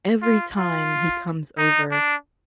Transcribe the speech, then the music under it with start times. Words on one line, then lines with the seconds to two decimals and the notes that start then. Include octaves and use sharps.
every time he comes over
0.22 F4
0.57 F4
1.58 D#4
1.91 D4